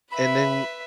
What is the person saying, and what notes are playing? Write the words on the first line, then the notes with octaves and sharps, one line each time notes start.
and then
B4 E5 B5